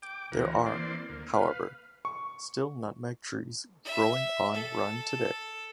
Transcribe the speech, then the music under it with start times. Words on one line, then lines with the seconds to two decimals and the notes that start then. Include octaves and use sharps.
There are, however, still nutmeg trees growing on Run today.
0.02 G5 D6
0.32 D2 E3 F#4 A#4
0.66 E3 A#3 C4 D5 C6
1.09 D2 A#3
1.33 B4 F5
2.05 C#6
3.85 E5
4.54 A4